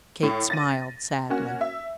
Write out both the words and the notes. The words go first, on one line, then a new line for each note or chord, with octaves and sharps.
Kate smiled sadly.
A2
A6 A#6 D#7
A#3 C#4 F#4
E5